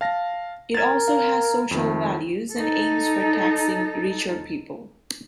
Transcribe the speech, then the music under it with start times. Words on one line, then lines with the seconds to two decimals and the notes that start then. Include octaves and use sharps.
It also has social values and aims for taxing richer people.
0.01 F5 A5 A#6
0.75 A#4 G#6 A6
1.08 F5
1.71 F2 D#3 A3
2.55 D#4 A4